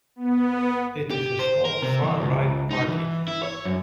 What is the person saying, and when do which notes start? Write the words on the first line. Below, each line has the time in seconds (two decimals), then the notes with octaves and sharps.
It is a small far-right party.
0.16 B3
1.10 G4
1.39 C5
1.65 A#4
1.82 C3
2.04 E3
2.20 C#2
2.71 D#4
2.89 E3
3.28 E4
3.43 C#5
3.65 F#2